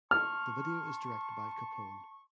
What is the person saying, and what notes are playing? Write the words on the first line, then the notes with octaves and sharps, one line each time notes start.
The video is directed by Capone.
A5 C6 C#6 F6